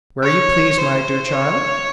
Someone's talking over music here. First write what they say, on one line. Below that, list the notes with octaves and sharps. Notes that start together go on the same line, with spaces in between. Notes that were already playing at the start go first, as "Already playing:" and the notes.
"Where you please, my dear child."
C#5
C5
C#5